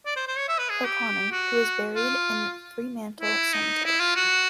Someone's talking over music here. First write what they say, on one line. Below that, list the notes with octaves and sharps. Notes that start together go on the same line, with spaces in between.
O'Connor, who is buried in Fremantle Cemetery.
D5
C5
C5
C#5
E5
B4
G#4
G4
F#4
F4
E4
D#4
E4
F4
F#4